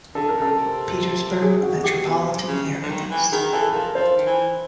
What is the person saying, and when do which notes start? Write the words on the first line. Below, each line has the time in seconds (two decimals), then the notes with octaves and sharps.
Petersburg metropolitan areas.
0.15 D3 A4
0.29 A#4
0.36 C#3
0.42 A4
0.57 C3
1.42 G#4
1.63 F#4
1.84 G4
2.05 B2
2.19 B2
2.26 C3
2.47 C#3
2.82 D3
2.89 D#3
3.11 E3
3.32 D#3 G#4
3.53 E3 A4
3.73 F3 A#4
3.94 F3 C5
4.17 D#3
4.26 E3